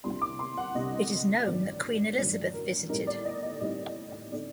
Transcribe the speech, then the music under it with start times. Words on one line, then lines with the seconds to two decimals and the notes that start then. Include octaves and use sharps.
It is known that Queen Elizabeth visited.
0.03 C2 C3 G3 D4 C6
0.22 D6
0.39 C6
0.57 F#5
0.75 C2 C3 G3 D4 D#5
1.46 A1 G2 D#3 F#3 D5
2.18 A1 G2 D#3 F#3 D5
2.54 A#4
2.89 A2 G3 C4 D#4 A#4
3.07 D5
3.25 D#5
3.43 D#5
3.61 A2 G3 C4 D#4 D5
4.32 D3 A3 C4 D#4 D5